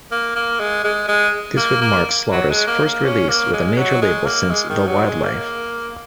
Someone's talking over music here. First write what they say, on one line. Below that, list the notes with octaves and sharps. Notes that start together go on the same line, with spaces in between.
This would mark Slaughter's first release with a major label since "The Wild Life".
A#3
A#3
G#3
G#3
G#3
A#3
A#3
F#3
G#3
A#3
A#3
C#4
A#3
G#3
F#3
G#3
A#3
G#3
D#3
F#3
G#3
A#3